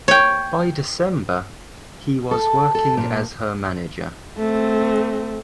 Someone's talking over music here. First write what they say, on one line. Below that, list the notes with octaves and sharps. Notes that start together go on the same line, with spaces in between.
By December, he was working as her manager.
C#5 G5
A4
A4
A#2
A3 C4